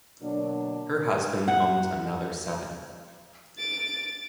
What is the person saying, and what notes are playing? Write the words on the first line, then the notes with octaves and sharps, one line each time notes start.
Her husband owns another seven.
B2 D3 F#3 A#3 D4
F#5
A6 D7